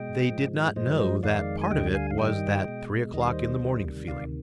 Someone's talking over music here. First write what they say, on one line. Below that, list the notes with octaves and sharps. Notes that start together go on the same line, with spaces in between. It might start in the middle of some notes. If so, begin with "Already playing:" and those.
They did not know that part of it was that three-o'clock-in-the-morning feeling.
Already playing: B2 G#3 D#5 G5
G#2 F3 G#3
G2 F3 G#3 C5 D#5
C5 D#5
F2 D#3 G#3 D5 F5
G#5
D2 D3 G3 D#5 G5
F5 G#5
F5
G2 D#3 G3 D#5 G5
B2 G#3
D#2 D#3 G3 D#5
F5
C5 D#5
D2 C3 D#3 G3
D2 C3 D#3 D5 F5